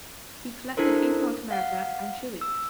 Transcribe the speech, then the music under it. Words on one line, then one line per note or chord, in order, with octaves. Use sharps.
He collected in North America and Chile.
D4 E4 A4 A#4 C5
F5 F#5
E6